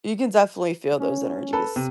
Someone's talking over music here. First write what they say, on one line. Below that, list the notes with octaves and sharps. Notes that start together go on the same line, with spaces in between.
you can definitely feel those energies.
C#4
A4 B4 B5
C3